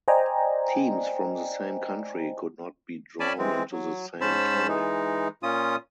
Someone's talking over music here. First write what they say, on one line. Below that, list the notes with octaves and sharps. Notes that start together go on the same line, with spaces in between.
Teams from the same country could not be drawn into the same tie.
C5 D5 D#5 G5 G#5 A#5
C#4 D5 G#5 A5 B5
E3 G#3 C4
F#3
G#2 C#4 C5 A5 B5 E6
E3 G#3 D#4
A#2 C#4 F4 D#6